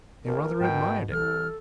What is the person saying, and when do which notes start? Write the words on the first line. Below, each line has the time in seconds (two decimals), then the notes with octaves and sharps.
They rather admired him.
0.25 A#1 A#4
0.60 G#2 B2 G5
1.12 C2 E3 A4 F6